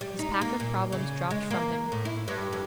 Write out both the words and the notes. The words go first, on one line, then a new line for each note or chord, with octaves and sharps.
His pack of problems dropped from him.
G3
D#4
A#3
A#2
C#3
G#3
A#3
A2
E4
G2
F2